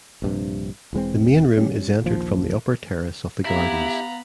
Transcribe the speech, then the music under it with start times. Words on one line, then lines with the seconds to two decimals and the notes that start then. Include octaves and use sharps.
The main room is entered from the upper terrace of the gardens.
0.22 A#1 G2 C3
0.93 E1 E3 G#3 C4
1.58 G3 C#4
2.04 A#1 D#2 F3
3.45 B3 E4 G4 F5 A#5 B5